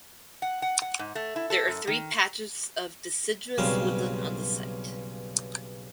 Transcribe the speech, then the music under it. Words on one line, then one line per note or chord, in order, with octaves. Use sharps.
There are three patches of deciduous woodland on the site.
F#5
F#5
F#5
G#2
A3
E4
A4
F#2
D#3
B1 G2 C#3 C4 F5 C6